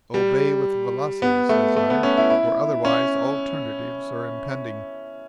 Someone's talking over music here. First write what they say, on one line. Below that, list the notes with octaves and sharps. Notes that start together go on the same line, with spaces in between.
Obey with velocity,' says I, 'for otherwise alternatives are impending.
G3
B3
A3
A3
B3
C#4
E4
E4
C#4